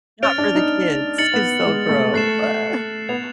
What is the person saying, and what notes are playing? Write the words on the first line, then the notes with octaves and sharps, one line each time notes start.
Not for the kids, 'cause they'll grow, uh.
C#4 F6 A6 D7 F7
D4
D#4
D#4 A6 C#7 F#7
B3
G#3
A3
A3 F#6 A6 C7 E7
B3 G#6 C7 F7